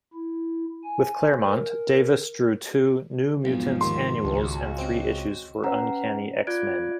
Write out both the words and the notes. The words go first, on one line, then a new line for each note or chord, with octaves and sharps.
With Claremont, Davis drew two "New Mutants Annuals" and three issues for "Uncanny X-Men".
E4
G#5
A#4
B1 E2 G#2 F3
D#2 C6 C#6
C#2 F#4
C4
C#4 B4 F#5 A#5
F4 D5 F#6 G#6 D7